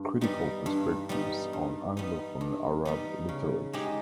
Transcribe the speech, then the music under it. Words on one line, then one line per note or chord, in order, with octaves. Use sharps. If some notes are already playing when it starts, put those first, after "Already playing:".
Critical Perspectives on Anglophone Arab Literature.
Already playing: G2
G3 B3 D#4
G2
G3 B3 D#4
G2
G3 B3 D#4
G2
G3 B3 D#4
C#3
G#3 D#4 G4